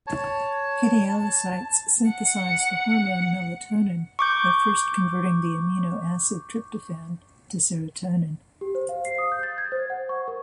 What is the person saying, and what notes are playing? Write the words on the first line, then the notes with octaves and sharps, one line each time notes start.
Pinealocytes synthesize the hormone melatonin by first converting the amino acid tryptophan to serotonin.
C#5 A5
A5
F#5 C#7
C#6 D6 G6
G4
C5
F5
C7
D#6
G6
A6
G#6
C5
F#5
C#6
A#4